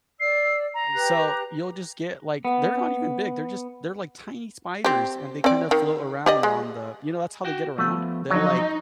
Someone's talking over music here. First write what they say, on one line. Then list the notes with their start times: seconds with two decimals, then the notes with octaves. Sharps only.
Uh, so you'll just get, like they're not even big, they're just they're, like, tiny spiders and they kinda float around on the, you know, that's how they get around, they'll, like
0.20 D5 E6 C7
0.74 A#5
0.94 G4 B4 F#6
2.45 B3
4.84 C4 G4
5.44 C4 D5
5.71 D#3
6.26 G4 D5 D#5
6.43 G#3
7.45 F#4 G5
7.78 F3 A3 B3
8.30 F3 F#3 D#4